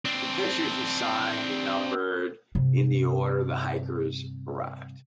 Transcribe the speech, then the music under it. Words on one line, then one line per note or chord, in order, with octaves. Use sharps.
The pictures are signed and numbered in the order the hikers arrive.
C4 D4
G2 C3